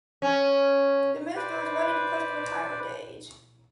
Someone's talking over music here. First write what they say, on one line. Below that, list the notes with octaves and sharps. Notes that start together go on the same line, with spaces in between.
The minister is ready to push the retirement age.
C#4
B4 C5 D5